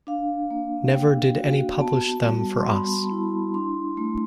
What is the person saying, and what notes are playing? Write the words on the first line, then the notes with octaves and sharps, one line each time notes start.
Never did any publish them for us.
D4 F5
A#3
A#3 G5
F#4
B3 A5
G3
C6
G3 B5
E4
D4 C6
A3